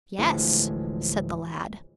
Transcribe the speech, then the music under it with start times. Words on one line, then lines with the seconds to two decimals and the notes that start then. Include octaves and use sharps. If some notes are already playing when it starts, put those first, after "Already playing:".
"Yes," said the lad.
0.18 D2 A2 E3 F3 G#3